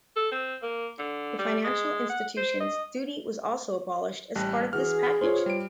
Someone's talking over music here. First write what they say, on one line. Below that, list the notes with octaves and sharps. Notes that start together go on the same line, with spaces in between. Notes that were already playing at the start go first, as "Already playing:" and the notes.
The financial institutions duty was also abolished as part of this package.
A4
C4
A#3
D3
G3
G#3
F#5
C5
D#5
A1 G3 A5 F#6 A#6
E3 F#4 G#4 F6
B3 F4 C5 C#5
G3 D7